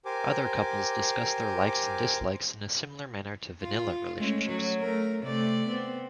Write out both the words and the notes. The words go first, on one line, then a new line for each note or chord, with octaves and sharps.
Other couples discuss their likes and dislikes in a similar manner to "Vanilla" relationships.
G4 A#4 C5 G#5 D6
F4
G#3 A3 C#4
F#3
A3 A#4
C3 A3 D5
B3 C4